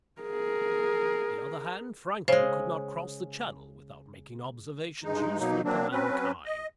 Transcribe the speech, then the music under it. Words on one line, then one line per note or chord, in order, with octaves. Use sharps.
On the other hand, Franklin could not cross the Channel without making observations useful to mankind.
G#4 A#4
C#3 G#3 C5
G2 G#3 D#4
B2 F#3 A#3 D#4
F#3 A#3 C4 D4
F#3 C4 C#4 B4
D#5